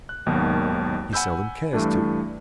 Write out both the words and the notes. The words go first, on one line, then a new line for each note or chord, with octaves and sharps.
He seldom cares to.
F#6
G#1 D#2 B2 D#3 F#3
F#5 G#5 B5 E6 G6
G2 E3 A3 D4